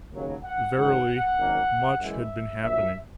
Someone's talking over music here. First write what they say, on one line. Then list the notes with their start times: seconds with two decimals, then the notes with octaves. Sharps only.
Verily, much had been happening.
0.13 D#2 C#3 F#3
0.44 F#5
0.75 G#2 D#3 F#3 F#5
1.38 G#1 F#2 D#3 A#3
2.00 F#2 E3 G#3 E5
2.62 A#1 A#2 F#3 A#3 E5